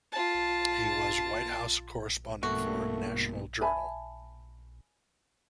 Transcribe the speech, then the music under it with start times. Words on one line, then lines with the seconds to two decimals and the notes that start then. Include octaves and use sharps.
He was White House correspondent for "National Journal".
0.12 F4 A5
2.43 G2 B2 A3 A#3 F#4
3.61 E5 G#5 A5 B5